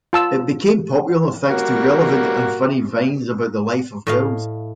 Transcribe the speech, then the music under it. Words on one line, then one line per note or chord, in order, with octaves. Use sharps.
It became popular thanks to relevant and funny vines about the life of girls.
F4 A5 E6
G3 A#3 F#4
A2 D#5 F5